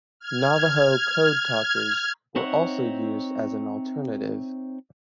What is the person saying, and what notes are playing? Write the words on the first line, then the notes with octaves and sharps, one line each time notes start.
Navajo code talkers were also used as an alternative.
F6 G#6
C4 D#4 C#5 E5 F#5